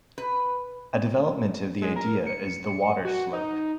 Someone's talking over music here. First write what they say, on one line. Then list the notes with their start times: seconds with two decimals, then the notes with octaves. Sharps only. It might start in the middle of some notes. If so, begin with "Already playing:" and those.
A development of the idea is the water slope.
0.18 B4
1.82 G#3
1.96 A#4
2.26 C#7
3.05 F#4
3.33 D#4